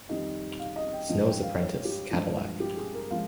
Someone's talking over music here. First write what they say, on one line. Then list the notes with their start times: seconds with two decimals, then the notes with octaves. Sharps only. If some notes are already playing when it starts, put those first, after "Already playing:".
Snow's apprentice, Cadillac.
0.09 F2 D#3 G3 D#5
0.59 F5
0.76 D#5
0.93 G5
1.09 G2 F3 G#3 D#5
1.26 G5
1.43 F5
1.60 C#5
1.85 G4
2.11 G2 F3 G#3
2.60 G4
2.77 G#4
2.94 A#4
3.11 F3 G#3 F5